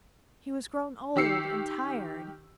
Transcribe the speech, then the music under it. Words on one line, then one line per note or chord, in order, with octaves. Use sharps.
He was grown old and tired.
D#3 G4 E6 C7 C#7